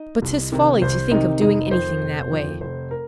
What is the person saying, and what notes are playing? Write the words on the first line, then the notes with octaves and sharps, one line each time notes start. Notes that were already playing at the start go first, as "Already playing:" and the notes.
But 'tis folly to think of doing anything that way.
Already playing: D#4 D#5
C2
C3 D#3
C2 C5
C3 D#3 D#4 D#5
F1 D#4 D#5
F2 D#3 C5
F1
F2 D#3
F1 C5
A#4